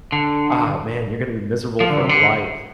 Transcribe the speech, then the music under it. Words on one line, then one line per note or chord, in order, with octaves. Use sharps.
ah man, you're gonna be miserable for life,
D3
F3
D3
C3
D3